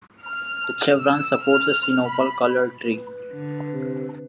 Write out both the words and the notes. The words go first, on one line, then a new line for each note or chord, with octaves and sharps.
The chevron supports a sinople coloured tree.
F6
E6
F6
B5
B4
D3
C3